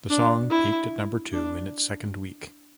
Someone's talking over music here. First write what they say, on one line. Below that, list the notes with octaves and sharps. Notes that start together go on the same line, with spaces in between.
The song peaked at number two in its second week.
D4
E4
D4